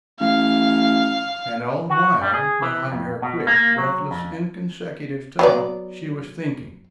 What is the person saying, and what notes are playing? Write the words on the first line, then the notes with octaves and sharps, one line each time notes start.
And all the while, behind her quick breathless inconsecutive talk she was thinking.
A1 F5
F#4
G3
G#4
E3
F2
B2
A#3
F#3
F2
F#3 B3 D5